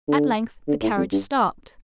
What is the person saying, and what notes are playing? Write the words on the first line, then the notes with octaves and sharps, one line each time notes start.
At length the carriage stopped.
D3
D3
A2
F2
G2